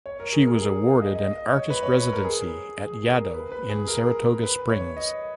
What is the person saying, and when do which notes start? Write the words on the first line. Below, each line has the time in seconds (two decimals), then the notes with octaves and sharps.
She was awarded an Artist Residency at Yaddo in Saratoga Springs.
0.06 C#5
0.20 A#4
0.33 G#4
0.47 A#4
0.61 G#4
0.87 F5
1.02 D#5
1.15 D#5
1.33 D#5
1.52 C#5
1.70 B4
1.83 C#5
1.97 B4
2.12 A#4
2.24 G#4
2.79 G#4
3.06 A#4
3.34 B4
3.52 B4
3.69 G#4
3.88 A#4
4.43 B4
4.69 C#5
4.97 D#5